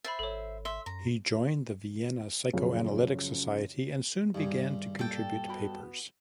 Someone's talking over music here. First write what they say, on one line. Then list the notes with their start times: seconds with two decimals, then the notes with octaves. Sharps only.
He joined the Vienna Psychoanalytic Society and soon began to contribute papers.
0.04 C5 E5 B5 A6
0.19 G#1 A4 C#5
0.65 E5 C6
0.86 F#2 A#5
2.53 F#2 C#3 F3
4.35 G2 D#3 G3 G#4
4.99 A#2 A4 G5
5.48 B3 F#4 B5